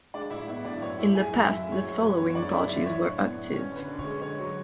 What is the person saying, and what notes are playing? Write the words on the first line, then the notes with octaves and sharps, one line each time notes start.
In the past the following parties were active.
G#3 D4 D5
A2 E4 E5
B3 E4 E5
A2 D4 D5
F#2 C#5
A3 E4 E5
E4 G#4 G#5
E4 E5
F#2 E4 E5
G#3
C#5
F#2
B4
F#2
B3 C#5
C#5
C#3 D4 D5
G#3 E4 E5
E4 E5
A2 C#5
D4
B3
B3
C#4 C#5
D3
B4
D3
C#5
G#3
D3 C#5
F#3